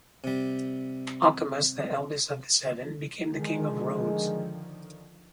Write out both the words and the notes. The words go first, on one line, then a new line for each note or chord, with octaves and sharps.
Ochimus, the eldest of the seven, became the king of Rhodes.
C3 G3
D3 D#3 F3 G#3